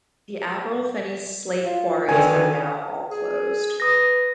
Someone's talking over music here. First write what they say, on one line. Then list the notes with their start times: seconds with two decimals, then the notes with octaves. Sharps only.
The Aberllefenni slate quarries are now all closed.
1.66 F4
2.09 B2 D3 D#3 G#5
3.10 G#4
3.80 B4 D#6 A#6